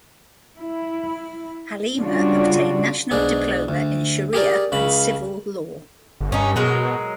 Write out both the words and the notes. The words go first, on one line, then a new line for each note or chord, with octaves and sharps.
Halima obtained National Diploma in sharia and civil law.
E4
C#3 G3 D4 F4 F#4
B1 G#2 D4 G#4
D2
G4 G#4 A#4 D5
C#2 C#3 B5
G1
G2 C#4 D#4
B2 F#3 G#3 A#4